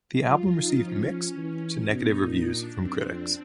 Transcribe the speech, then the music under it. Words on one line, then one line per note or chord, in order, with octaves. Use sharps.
The album received mixed to negative reviews from critics.
F#3 F4
F3 D#4
F3 C#4
E3 C#4
B2 D#4
A#2
D4
F#2 C4
F2